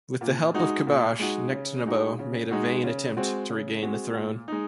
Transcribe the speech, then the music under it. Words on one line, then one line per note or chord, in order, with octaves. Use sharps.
With the help of Khabash, Nectanebo made a vain attempt to regain the throne.
A#2
G#3 D#4 F#4
A#2
G#3 D#4 F#4
C#3
G#3 D#4 F#4
C#3
G#3 D#4 F#4
C#3
G#3 C4 F#4
C#3
G#3 C4 F#4
A#2
G#3 D#4